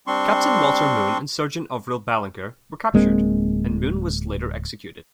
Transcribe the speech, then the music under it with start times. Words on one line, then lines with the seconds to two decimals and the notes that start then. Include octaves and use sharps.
Captain Walter Moon and Sergeant Orville Ballenger were captured, and Moon was later executed.
0.07 G3 C4 D4 C6 C#6
2.94 D1 G#3 A#3 C4